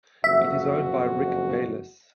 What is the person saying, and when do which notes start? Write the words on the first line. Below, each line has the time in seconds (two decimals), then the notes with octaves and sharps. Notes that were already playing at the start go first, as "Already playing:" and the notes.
It is owned by Rick Bayless.
0.24 F#1 F2 F#4 E5